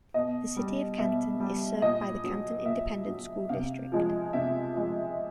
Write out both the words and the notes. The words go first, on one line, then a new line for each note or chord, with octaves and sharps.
The City of Canton is served by the Canton Independent School District.
B2 D#5
G3
B2 E5
G3
A#2 D#5
F#3
A#2 E5
F#3
C3 F5
F3 G#3
C3 E5
F3 G#3